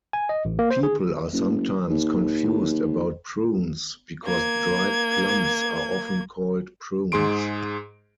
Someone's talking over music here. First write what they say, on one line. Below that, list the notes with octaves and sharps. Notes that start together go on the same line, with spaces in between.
People are sometimes confused about prunes because dried plums are often called prunes.
G#5
D#5
A1
A#3
C5
G#4
F#1
D#2
A#3 G#6
G#2 G#4 C6 D7